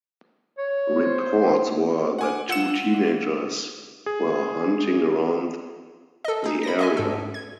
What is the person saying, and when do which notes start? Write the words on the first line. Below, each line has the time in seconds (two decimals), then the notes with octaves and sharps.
Reports were that two teenagers were hunting around the area.
0.58 C#5
1.03 C5
2.19 F#5 G#5 D6
2.49 F4 F#5 E6 C#7 E7
4.06 G#4
6.25 A4 D#5
6.44 D#4 G#4
6.63 B5 A#6
6.79 D#5 E5 G#5
6.97 G#2 A4
7.34 G#6